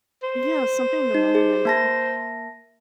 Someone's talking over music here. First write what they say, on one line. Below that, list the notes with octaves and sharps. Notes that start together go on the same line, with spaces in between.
yeah, something in the moment
C5
D#4
G#4
A#3 A5 A#6